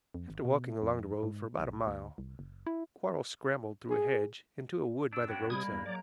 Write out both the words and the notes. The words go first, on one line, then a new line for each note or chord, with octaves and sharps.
After walking along the road for about a mile Quarles scrambled through a hedge into a wood by the roadside.
F2
G#1
B2
F2
G#2
B1
D2
C2
F#1
E4
G#4
F#2 D4 E6
F#3 B3 D4 G5
C3 G3 G#3 A#3 B5 D#6 G#6
E2
F#3 D5 A#5